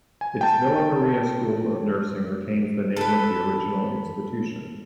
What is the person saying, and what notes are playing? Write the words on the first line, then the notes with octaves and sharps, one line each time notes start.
Its "Villa Maria School of Nursing" retains the name of the original institution.
G#5
G5 A5
A4 B4